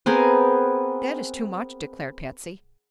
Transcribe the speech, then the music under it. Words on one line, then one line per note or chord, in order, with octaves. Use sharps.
"That is too much," declared Patsy.
B3 C4 G#4 A#4